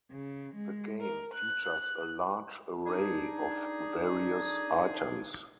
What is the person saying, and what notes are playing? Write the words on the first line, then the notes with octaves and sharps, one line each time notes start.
The game features a large array of various items.
C#3
G#3
A#4
F#6
D4 D#4 G#4